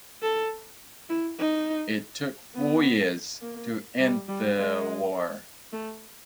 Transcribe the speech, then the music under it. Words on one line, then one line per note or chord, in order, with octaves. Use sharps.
It took four years to end the war.
A4
E4
D#4
B3
A#3
G3
G3
G#3
A3